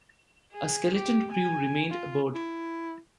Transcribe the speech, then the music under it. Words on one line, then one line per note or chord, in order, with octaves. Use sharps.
A skeleton crew remained aboard.
G#4
G4
G#5
F4
E4